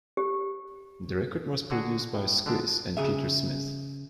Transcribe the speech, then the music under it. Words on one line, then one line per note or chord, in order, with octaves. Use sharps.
The record was produced by Squeeze and Peter Smith.
G4
D3 F#4 G#4
A2
D3 G#3 D4
C#3 G#4 E5